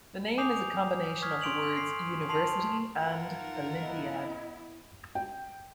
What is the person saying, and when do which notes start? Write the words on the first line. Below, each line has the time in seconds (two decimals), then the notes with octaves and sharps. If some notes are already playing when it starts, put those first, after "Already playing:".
The name is a combination of the words "University" and "olympiad".
0.38 G#5 D6 D#6 G6 C7 F7
1.22 C#6 D#6 F6 G#6 B6
1.41 C6 C#6 D7 F7 F#7
1.77 C7
2.29 A5 C6 C7 F7
2.97 F4 A#4 F#5 A5
3.38 D#4
3.81 B3 E4 D#5
5.15 G5